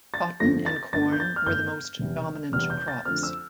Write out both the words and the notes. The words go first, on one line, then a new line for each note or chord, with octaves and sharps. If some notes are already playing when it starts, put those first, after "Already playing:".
Cotton and corn were the most dominant crops.
A6
G1 F2 D3 F3 A3 A#6
A6
G1 G2 D3 A3 A6
G6
A6
F6
G1 G2 D3 A3 G6
F1 E2 E3 G3
F1 E2 E3 G3 F6
G6
A6
F2 D3 F3 A3 C4 F6
E6